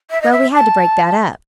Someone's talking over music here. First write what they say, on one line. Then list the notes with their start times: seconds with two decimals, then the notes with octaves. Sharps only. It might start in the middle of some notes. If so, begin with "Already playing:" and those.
Well, we had to break that up.
0.11 E5
0.22 D#5
0.32 E5
0.54 A5